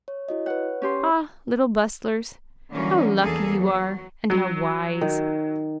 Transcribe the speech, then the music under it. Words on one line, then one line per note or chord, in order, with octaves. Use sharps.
Ah, little bustlers! How lucky you are, and how wise!
C#5
E4 F#4 D#5
B4 C#5 F#5
C#4 G4 C6
D3 E3 F#3 G3 A#3 C#4
E2 A#3 G#4 A4
F#3
F#3
D#3